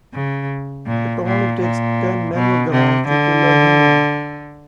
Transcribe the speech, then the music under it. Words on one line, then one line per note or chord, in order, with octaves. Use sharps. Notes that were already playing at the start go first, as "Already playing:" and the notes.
It only takes ten nanograms to kill a human.
C#3
A#2
A#2
A#2
B2
C3
D3